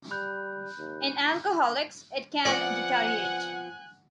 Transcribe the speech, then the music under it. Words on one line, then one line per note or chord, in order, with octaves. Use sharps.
In alcoholics, it can deteriorate.
G3 B5 F#6 G6
D#2
F3 B3 C4 D5 F#5 G#5 F#6